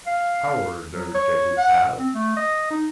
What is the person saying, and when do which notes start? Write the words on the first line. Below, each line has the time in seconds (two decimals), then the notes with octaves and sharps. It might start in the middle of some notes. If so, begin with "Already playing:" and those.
Power those judges have.
0.07 F5
0.91 F#3
1.15 C#5
1.57 F#5
1.99 C4
2.14 A3
2.37 D#5
2.71 D#4